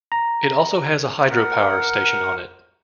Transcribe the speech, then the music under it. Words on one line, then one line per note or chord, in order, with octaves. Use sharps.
It also has a hydropower station on it.
A#5
A#4 F#5